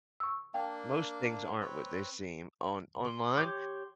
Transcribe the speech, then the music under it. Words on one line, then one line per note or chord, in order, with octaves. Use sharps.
most things aren't what they seem on online.
C#6 E6
A#3 D4 F5 G5 A5
C4 B4 C#5
C6
G4 C#5 D6 G6